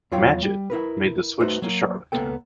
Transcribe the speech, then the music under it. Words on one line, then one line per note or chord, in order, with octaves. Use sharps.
Matchett made the switch to Charlotte.
E2 F#3 F4 C#5 F5 G5
G3
E4 A#4 B4
A3 D#4 F#4 B4 C5
F#3 A#3
C#2 B2 A#3 B3 A4 G5